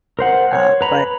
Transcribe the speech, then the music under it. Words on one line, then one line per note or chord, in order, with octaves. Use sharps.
uh, but.
A#4 C5 F#5
C#5
B4 A#5 B5